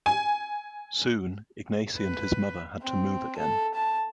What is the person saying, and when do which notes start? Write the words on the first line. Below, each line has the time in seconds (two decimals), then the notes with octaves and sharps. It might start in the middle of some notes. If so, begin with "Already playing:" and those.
Soon, Ignacy and his mother had to move again.
0.06 G#5
1.97 B4
2.82 C4
3.38 A4
3.75 A5